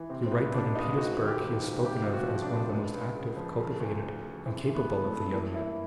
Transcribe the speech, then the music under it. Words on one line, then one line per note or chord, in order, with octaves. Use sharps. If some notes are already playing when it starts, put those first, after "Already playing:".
You write that in Petersburg he is spoken of as one of the most active, cultivated, and capable of the young men.
Already playing: E3
C3 C4
C4
C#2 B3
C3 D4
C#2 D#4
G#2 F#4
D#3
G4
D#3
G#2
C3 G4
C3 F4
F#4
F3
D4
C#2
C#2
C#2
C#3
F3
C#3
D2
F3
C#3
E3 C4
E3
B3
E3
A3
G2
E3 A#3
E3 E4